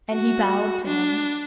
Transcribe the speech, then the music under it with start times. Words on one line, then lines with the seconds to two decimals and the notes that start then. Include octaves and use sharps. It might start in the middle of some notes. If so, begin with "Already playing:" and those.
And he bowed to him.
0.10 F#4
0.85 D4